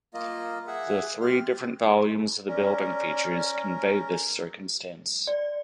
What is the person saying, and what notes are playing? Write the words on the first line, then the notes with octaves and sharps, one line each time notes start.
The three different volumes the building features convey this circumstance.
A#3 F4 D#5
G#4 E5 F#5
G4 C6 F6
C#4 A#4 D5
D5